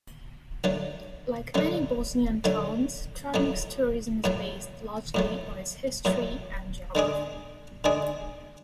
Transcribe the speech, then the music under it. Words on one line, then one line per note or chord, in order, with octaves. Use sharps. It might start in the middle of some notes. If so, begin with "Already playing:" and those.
Like many Bosnian towns, Travnik's tourism is based largely on its history and geography.
D3 F#3 A3
D3 F#3 A3
D3 F#3 A3
A2 F#3 A3
A2 F#3 A3
A2 F#3 A3
A2 F#3 A3
D3 G#3 D4 G#4
D3 G#3 D4 G#4